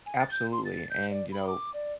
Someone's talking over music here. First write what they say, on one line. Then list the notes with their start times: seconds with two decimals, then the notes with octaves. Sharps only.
Absolutely, and, you know,
0.06 G#5
0.19 A6
0.31 G6
0.52 C6
0.65 A6
0.90 G6
1.10 D5
1.32 B5
1.46 D6
1.73 D5